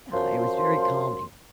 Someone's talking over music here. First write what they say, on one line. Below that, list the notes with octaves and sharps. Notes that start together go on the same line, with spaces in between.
yeah, it was very calming,
F#2 F3 C6